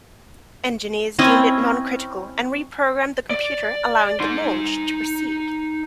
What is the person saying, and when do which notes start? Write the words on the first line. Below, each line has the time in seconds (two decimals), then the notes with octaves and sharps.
Engineers deemed it non-critical and reprogrammed the computer, allowing the launch to proceed.
1.19 C4 C#4 E4 D#5
3.30 D5
4.20 D#4 C6